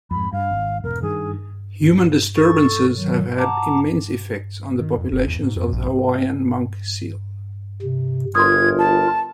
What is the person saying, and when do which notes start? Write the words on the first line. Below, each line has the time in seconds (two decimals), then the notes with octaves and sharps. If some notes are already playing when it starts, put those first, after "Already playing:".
Human disturbances have had immense effects on the populations of the Hawaiian monk seal.
0.11 F2 G#2 B5
0.33 G2 F5
0.51 G#1
0.84 E1 A#4
1.02 G2 D#3 G#4
2.36 A4 C#6 A6
2.96 D#3 F#3
3.38 F#5 A5 A#5 D6
4.81 D#3
4.98 F2
5.12 F#1
5.27 E2
5.42 G#2
5.56 F2
5.73 A#1
7.82 C3
8.35 G1 F4 A#4 C6 D#6 G#6
8.79 A5